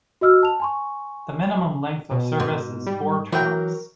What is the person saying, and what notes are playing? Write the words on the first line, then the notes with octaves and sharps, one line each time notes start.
The minimum length of service is four terms.
F#4 D#5 E6 F6
A5 F7
G#5 C6 C#6
B2
G#2
G3
E3 F#3 A#4 G5